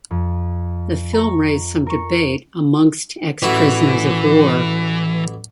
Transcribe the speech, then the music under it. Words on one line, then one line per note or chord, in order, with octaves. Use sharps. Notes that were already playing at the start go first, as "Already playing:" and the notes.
The film raised some debate amongst ex-prisoners of war.
F2
A#5 C#6
A#4 C#6
A1 E3 E4 F#4